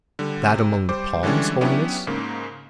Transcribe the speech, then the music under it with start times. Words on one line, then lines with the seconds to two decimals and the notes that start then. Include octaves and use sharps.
"That among the palms, Holiness?"
0.19 D3 G3
0.48 C3
0.89 G3 C5 D6
1.23 D3 E3 G3 G#3 C#4 D4
1.61 F#3 B3 C#4 D4 E4 G4
2.07 G#2 C#3 A#3